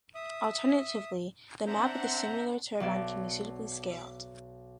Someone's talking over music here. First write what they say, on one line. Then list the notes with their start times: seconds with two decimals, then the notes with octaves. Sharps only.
Alternatively, the map of a similar turbine can be suitably scaled.
0.15 E5 D#6
1.67 C4 D4 E5 F#5 A#5 G6
2.80 B1 D5 A5 G#6